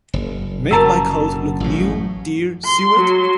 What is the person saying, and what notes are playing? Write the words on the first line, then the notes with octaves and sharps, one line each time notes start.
Make my coat look new, dear, sew it?
F#1
F#2 A#4 A5 A#5 E6
A1 A2
C6
F#3 C6